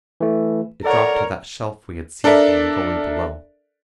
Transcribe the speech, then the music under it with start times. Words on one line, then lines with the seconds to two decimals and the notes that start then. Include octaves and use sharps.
It dropped to that shelf we had seen from the gully below.
0.21 E3 A3
0.84 A4 A#4 C#5 D5 F#5
2.24 D4 A4 A#4 D5 E5